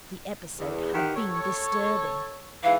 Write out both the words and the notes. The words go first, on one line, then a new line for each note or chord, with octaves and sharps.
The episode had been disturbing.
E2
D#3 G4 F#5
A4 C#5
G#2 E3 F5